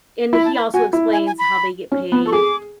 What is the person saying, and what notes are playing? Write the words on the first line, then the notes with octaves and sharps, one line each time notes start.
and he also explains how they get paid
E4 B5
A5
B5
F#4 G#5
E4
G#5
G#5
B5
C#4
B3
A4 C#6
G#4 D6